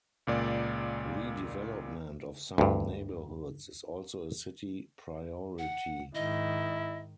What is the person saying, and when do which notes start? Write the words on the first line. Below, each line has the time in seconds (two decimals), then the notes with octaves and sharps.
Redevelopment of some neighborhoods is also a city priority.
0.27 C#2 A#2 D5
2.58 D2 G2
5.58 F#5
6.15 G#2 D#3 E4 D#5